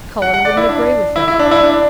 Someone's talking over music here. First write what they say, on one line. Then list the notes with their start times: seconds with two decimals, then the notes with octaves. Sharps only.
'Colin wouldn't agree with them.
0.22 F#5
0.34 F#5
0.45 D5
0.57 E4
0.69 D4
1.16 E4
1.28 E4
1.39 D4
1.51 E4
1.63 D4